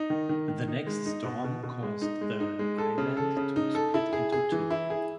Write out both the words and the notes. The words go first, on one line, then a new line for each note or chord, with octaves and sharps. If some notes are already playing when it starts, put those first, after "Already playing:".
The next storm caused the island to split into two.
Already playing: D#4
D#3
D#3
D#3
D#4
G#3
D#4
B2
B2
B2
G#3
D#4
G#3
D#4
G#3
A4
C#3
A4
C#3
D#4
A4
E4
G#4
G#4
E3
E4
G#4